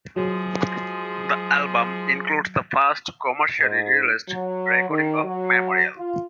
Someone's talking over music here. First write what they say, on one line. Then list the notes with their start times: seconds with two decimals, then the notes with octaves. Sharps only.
The album includes the first commercially released recording of "Memorial".
0.16 F3 F#3 G#3 G#4
3.59 G#2
4.29 F#3
4.90 D#3
5.24 F#3
5.97 F4